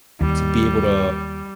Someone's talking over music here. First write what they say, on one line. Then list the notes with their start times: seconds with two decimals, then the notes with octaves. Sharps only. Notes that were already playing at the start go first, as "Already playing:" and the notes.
to be able to
0.21 D#2 G3